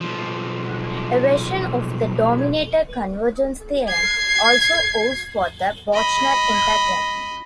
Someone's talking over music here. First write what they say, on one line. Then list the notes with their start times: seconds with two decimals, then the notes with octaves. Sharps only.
A version of the dominated convergence theorem also holds for the Bochner integral.
0.01 B1 F3
3.88 G#6 C7
5.93 D#5 B5